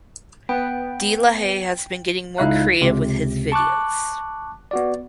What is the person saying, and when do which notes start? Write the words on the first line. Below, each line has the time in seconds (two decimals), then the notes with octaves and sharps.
De La Haye has been getting more creative with his videos.
0.49 B3 G5
2.38 C#2 D#4 E4 E5 F5 F#6
2.81 C#2 C3
3.52 A5 C#6 D6 F#6
4.71 B3 F#4 D5